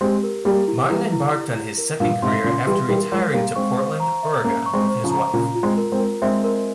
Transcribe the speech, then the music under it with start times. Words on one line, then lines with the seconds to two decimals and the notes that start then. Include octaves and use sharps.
Martin embarked on his second career after retiring to Portland, Oregon with his wife.
0.01 G#3 C4 G4
0.23 A#4
0.45 G3 A#3 G4
0.68 E4
0.89 E3 G3 E4
1.12 E4
1.34 E4
1.56 E4
1.78 A#4
2.00 G2 A#2 F5
2.22 G#2 C3 C6
2.44 A#2 C#3 C6
2.67 E3 G3 C6
2.89 E3 G3 A#4
3.12 F3 G#3 A#4
3.33 G3 A#3 F5
3.55 G#3 C4 C#6
3.78 C5
4.00 A#5
4.23 E5
4.44 A#3 C#4 A#5
4.66 C#6
4.74 G#3 C4
4.88 C5
5.04 C#3 F3
5.11 A#5
5.33 A#2 C#3 F4
5.55 F4
5.63 G#3 C4
5.77 A#4
5.92 G#3 C4
5.99 A#4
6.22 G#3 C4 E5
6.44 A#4